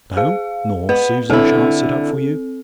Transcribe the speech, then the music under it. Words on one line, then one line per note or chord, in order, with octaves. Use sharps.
No: nor Susan shan't sit up for you.
G#4 F5
B3 B4
D3 C4 E4 A4